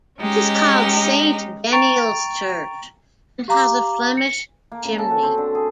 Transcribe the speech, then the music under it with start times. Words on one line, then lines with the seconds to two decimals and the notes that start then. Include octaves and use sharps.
It is called Saint Deniol's church and has a Flemish chimney.
0.19 G#3 C#4 D#4 G4
1.72 G5 A#5 C#6 A6 D7 F7
3.48 G4 F5 A#5 D6
4.17 C#7
4.72 A#3
4.85 C#3
4.98 A4
5.11 F#4
5.23 C4
5.38 D3
5.55 G#4